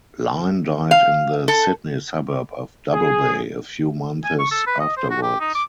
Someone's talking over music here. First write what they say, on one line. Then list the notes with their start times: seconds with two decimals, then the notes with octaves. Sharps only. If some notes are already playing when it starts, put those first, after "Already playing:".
Lyne died in the Sydney suburb of Double Bay, a few months afterwards.
0.91 F5
1.48 A4
2.93 G#4
4.24 G#5
4.39 C#6
4.51 A4
4.67 B4
4.80 D#5
4.97 C5
5.10 F#4
5.23 G4
5.40 D#4
5.55 D6